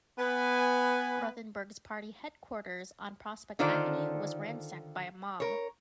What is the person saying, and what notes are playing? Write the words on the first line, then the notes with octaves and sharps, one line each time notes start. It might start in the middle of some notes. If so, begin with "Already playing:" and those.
Ruthenberg's party headquarters on Prospect Avenue was ransacked by a mob.
B3 B4 G#5
D3 D#3 F4 A4 C5 D5
A#4 C#5